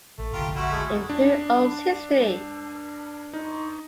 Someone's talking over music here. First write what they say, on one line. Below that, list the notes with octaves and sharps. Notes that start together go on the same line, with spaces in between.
In Who Owns History?
A1 A3
F1 A#1 D3 F4 G4 A#5
G3 A3 E4 F#4
G#3 A4
D4
D#4